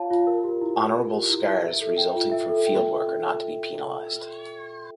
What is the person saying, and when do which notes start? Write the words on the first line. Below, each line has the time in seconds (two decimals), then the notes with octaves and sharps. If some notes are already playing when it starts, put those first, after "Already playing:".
Honorable scars resulting from field work are not to be penalized.
Already playing: F4 C#5 F5 A5
0.10 F4
0.27 A#4
0.44 G4
0.61 E4
0.79 E4
0.95 A#4
1.13 G4
1.29 E4
1.47 E4
1.64 E5
1.81 A4
1.98 G5
2.15 F4
2.32 E5
2.49 A4
2.67 G5